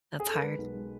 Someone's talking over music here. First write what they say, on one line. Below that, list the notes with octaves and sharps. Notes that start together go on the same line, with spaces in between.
that's hard.
G#4
A4
A#4
G#3 B4
B1
G#3